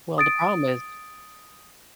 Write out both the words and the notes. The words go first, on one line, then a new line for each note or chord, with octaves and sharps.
Well, the problem is
D#6 A6 D7